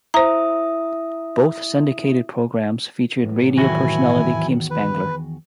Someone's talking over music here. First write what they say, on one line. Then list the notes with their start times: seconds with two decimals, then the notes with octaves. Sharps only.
Both syndicated programs featured radio personality Kim Spangler.
0.14 E4 C5 E5 A#5 D#6
3.19 A2 E3 F#3
3.57 E2 D#3 E4 F#4 G#5
4.71 B4